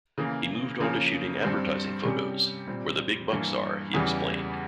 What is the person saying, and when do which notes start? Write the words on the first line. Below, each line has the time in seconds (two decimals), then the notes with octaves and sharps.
He moved on to shooting advertising photos, "where the big bucks are," he explained.
0.18 C#3 E3 A#3
0.80 C#3 F3 A#3 C#4
1.42 G2 G3 C4
2.05 C3 G3 C#4 G4
2.68 A#2 G3 C4
3.30 G2 E3 A#3
3.93 E2 C#3 E3 G3